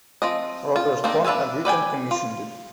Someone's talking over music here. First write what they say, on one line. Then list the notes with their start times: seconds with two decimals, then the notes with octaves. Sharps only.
Robert Kohn agreed and commissioned it.
0.22 F3 C4 D#5
0.76 F4
1.04 A#3 C4 D4 D#4
1.25 D4 B4 E5 F5 G#5
1.65 B4 D5 G5 G#5
2.11 F4